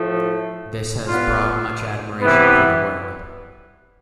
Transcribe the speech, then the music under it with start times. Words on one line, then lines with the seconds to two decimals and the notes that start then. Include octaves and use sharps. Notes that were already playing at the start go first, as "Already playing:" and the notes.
This has brought much admiration for the work.
Already playing: A2 F3 A3
1.06 A2 G3 B3 F4
2.20 C3 E3 B3